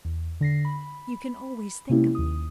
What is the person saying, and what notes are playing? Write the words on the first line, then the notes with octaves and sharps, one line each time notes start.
"You can always think of me."
E2
D3 A#6 C7
B5
C3 G#3 A#3 C#4 E4 G4
D#2 D#6